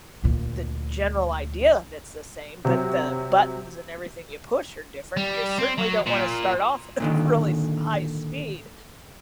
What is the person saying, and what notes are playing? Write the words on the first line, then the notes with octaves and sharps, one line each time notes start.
the general idea of it's the same, but the buttons and everything you push are different, and you certainly don't wanna start off of really s high speed.
D2 A#2
C3 F#3
G3
C4
F#3
A#2
A#2 D3 D#3